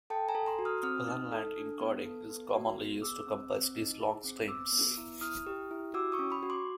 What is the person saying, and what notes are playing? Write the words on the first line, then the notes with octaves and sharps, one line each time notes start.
Run-length encoding is commonly used to compress these long streams.
A4 G5 A5
G#5 A#5
A4
A#5 C6
F#4
D#6 F6
C4 D#6 F6
D#4
A4
D4
B3
A4
B3
F#4
B3
G#4 D6 E6
C4
C4
D#4
G#4
C4
B3 D6 E6
B3
E4
E4 D#6 F6
G4
E4
F#4 D6 E6
C#6 D#6
C#4
B5 C#6
F#4
C6 D6